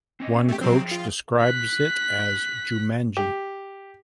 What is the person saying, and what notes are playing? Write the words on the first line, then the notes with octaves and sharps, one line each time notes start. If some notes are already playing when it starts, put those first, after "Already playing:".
One coach describes it as Jumanji.
C4 C#4 D#5
A3 G4
F3 F#3 C4 G#4 G5
F4
F#6 B6
G4